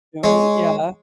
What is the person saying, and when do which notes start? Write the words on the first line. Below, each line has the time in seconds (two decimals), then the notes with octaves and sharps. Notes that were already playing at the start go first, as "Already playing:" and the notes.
soon, yeah.
0.24 G#3 C#5